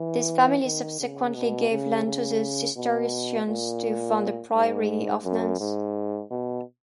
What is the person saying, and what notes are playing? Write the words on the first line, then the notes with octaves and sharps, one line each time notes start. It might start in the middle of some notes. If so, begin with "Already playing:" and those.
This family subsequently gave land to the Cistercians to found a priory of nuns.
Already playing: E3
D#3
C#3
B2
C#3
C#3
B2
A#2
G#2
F#2
G#2
B2